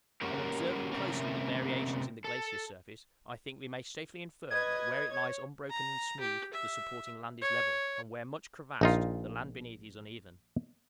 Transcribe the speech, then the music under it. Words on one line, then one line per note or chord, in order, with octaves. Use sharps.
From observing closely the variations in the glacier surface, I think we may safely infer that where it lies unbroken and smooth, the supporting land is level; and where much crevassed, the land beneath is uneven.
A#3 C#4 F#4 G4 A#4
C3 A3 A#3 C4 C#4
A4
B4 D#5 G#6
C#5
A#5
G4
E5
C#5
A#1 D#4 F4